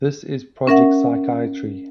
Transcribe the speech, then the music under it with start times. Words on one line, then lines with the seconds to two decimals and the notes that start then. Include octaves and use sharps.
This is Project Psychiatry.
0.67 C#4 A#4 E5 F#5